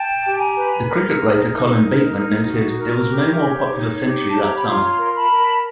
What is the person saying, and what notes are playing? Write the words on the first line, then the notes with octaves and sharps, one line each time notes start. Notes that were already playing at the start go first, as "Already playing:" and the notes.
The cricket writer Colin Bateman noted, "there was no more popular century that summer".
Already playing: G5 A5
G4
G#5 A#5
B4
A#4
D#4
D#4
A#4
D#4
F#4
A#4
G4
C#5
D#4
G4
A5
C#5
A#5
B5
F4 A#5 C6
A#4
A5 B5
A#4